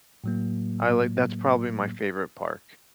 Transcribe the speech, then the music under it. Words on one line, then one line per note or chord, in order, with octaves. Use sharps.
I like that's probably my favorite park,
A2 F#3 A#3